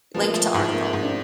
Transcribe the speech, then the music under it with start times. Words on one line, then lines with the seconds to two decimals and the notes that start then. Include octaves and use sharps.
Link to article.
0.15 F3 B3
0.22 A#3
0.29 A3 B3
0.35 F3
0.44 A3 B3
0.54 G#2
0.73 A3 A#3 C4
0.93 G#2
1.03 C4 D4